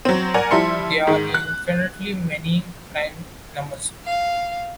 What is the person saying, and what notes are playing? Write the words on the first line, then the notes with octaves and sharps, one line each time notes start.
There are infinitely many prime numbers.
F#3 C4
A#4 D5 F#5 G#5 A#5
F3 G3 E4 E5 C6 C#7
G#2 D#3
F#6
F5